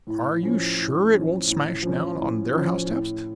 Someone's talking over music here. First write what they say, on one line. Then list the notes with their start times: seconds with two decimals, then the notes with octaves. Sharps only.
Are you sure it won't smash down on their housetops?
0.07 A2
0.43 F3 C#4
0.78 A2
1.13 F3 C#4
1.48 A2
1.83 F3 C#4
2.19 A2
2.54 F3 C#4
2.88 A2